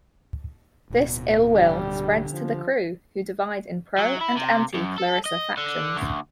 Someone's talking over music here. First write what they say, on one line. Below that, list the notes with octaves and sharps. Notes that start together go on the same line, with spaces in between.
This ill-will spreads to the crew, who divide in pro-and anti-Clarissa factions.
D1 B2
D3 G3 G4
F3
F#3
E4
C3
F#2
A4
D#5
D3
D2